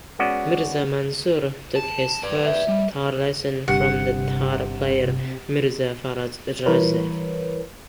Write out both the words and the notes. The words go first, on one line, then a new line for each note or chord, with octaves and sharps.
Mirza Mansur took his first tar lessons from the tar player Mirza Faraj Rzayev.
G#3 B3 C#4 F#4 D5 D#5
A5
B4 D5
E5
G3
G1 G2 C3 G4 F#5 C#7
E3 G3 E4 A#4 B4 C#5